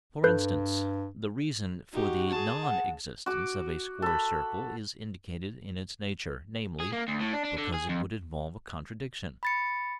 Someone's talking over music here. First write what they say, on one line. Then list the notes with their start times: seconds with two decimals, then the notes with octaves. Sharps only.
For instance, the reason for the non--existence of a square circle is indicated in its nature, namely, because it would involve a contradiction.
0.24 G2 A4 B4 G6
1.93 D#4 F#4 G4
2.30 G#4 A5
2.63 F#5
3.26 F#4 D6
4.02 A4 B5
6.80 G#4
6.92 A#3
7.08 D2
7.21 A2
7.33 D4
7.44 D4
7.58 D3
7.74 G#4
7.89 F2
9.43 B5 A6 C#7